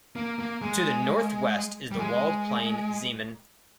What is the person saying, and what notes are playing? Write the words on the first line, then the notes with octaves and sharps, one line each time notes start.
To the northwest is the walled plain Zeeman.
A#3
A#3
G#3
G3
G#3